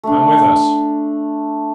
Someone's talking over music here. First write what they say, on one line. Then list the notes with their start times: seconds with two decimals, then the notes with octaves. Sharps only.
"Come with us!"
0.03 A3 D4